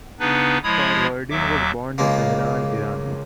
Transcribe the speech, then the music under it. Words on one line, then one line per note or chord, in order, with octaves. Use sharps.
Farvardin was born in Tehran, Iran.
C#3 B3 D4 D#4 B4
F3 G#3 E4 C#5 B5 D#6
D#2 F#3 E5 D6
C#2 G#3 A#3